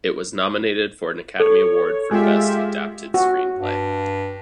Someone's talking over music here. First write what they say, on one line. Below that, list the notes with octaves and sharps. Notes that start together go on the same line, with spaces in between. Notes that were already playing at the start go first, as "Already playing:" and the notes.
It was nominated for an Academy Award for Best Adapted Screenplay.
A4 C#5
G#3 F4 G4 E5
F#4
G2